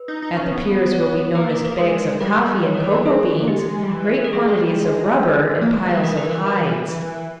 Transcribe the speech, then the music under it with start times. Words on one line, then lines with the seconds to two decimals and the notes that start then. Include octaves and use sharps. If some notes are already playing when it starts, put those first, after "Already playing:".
At the piers will be noticed bags of coffee and cocoa beans, great quantities of rubber and piles of hides.
Already playing: B4
0.08 D#4
0.22 D#4
0.36 C#4
0.51 B3
0.93 C#5
1.35 A#3 B4
1.50 A#4
1.64 A#4
1.72 B4
1.78 G#3 A#4
2.20 G3 A#4
2.42 G3
2.62 E3 C#5
2.74 D#3 A#4
2.84 B4
2.92 E3 A#4
3.06 G#4
3.42 A#3
3.48 G#3 G4
3.83 G3
3.90 E3
4.25 A#4
4.33 G3 G#4
4.47 G#3
4.61 G3
4.76 G#3
5.61 A#3
5.75 G#3
5.89 G3
6.03 E3 A#4
6.17 B4
6.31 A#4
6.46 E3 A#4
6.88 E3